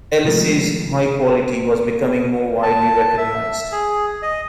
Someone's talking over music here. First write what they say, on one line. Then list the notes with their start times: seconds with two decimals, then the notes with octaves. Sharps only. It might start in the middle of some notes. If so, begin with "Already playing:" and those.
Ellis' high quality was becoming more widely recognized.
0.24 C3 D#3 F3 G#3 A3
2.63 A5
3.18 E5
3.72 G#4
4.22 D#5